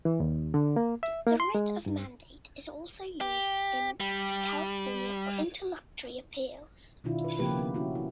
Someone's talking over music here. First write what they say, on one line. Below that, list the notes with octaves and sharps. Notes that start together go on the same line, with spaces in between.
The writ of mandate is also used in California for interlocutory appeals.
E3
D#2
D3
A#3
E5
A#3
C6
G#3
G2
G4
G3
B2 D#3 D4 E4 F4
B4
C#3 F3 A#3 C4 G4 B4
B3
C#4 E4 F#4
E4